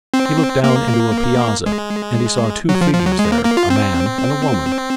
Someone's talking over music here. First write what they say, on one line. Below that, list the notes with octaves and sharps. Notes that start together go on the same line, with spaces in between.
He looked down into a piazza and he saw two figures there, a man and a woman.
C4
A#3
G#3
F#3
F3
F3
F#3
G#3
A#3
A#3
F4
C4